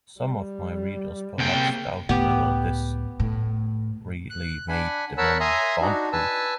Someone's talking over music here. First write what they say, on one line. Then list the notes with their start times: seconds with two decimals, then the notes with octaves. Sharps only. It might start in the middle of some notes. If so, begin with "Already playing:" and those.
Some of my readers perhaps doubt whether this really made the men bombproof.
0.20 G3
1.38 C2 C#3 A#3 G5
2.09 C#2 A2 B3 G4
3.20 A2
4.30 F#6
4.68 D4 F#5 G#5 B5
5.18 A#4 C#5 F#5 A5 B5 E6
5.40 E5 G#5 A#5 C6 D#6
5.82 D4 D#4 F#4
6.13 B4 G#5 A5 E6